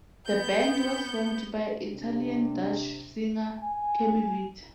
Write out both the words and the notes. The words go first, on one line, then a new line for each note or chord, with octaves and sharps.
The band was formed by Italian-Dutch singer Kemi Vita.
B3 G6
C3 D4
G#5